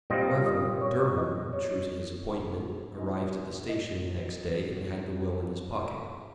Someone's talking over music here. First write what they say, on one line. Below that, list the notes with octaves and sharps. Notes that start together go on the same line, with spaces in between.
However, Durham, true to his appointment, arrived at the station the next day and had the will in his pocket.
A#2 G3 C4 F4 D#5
D#5
C#5
D#5
C#5
A#2 G#3 D#4 D#5
D#5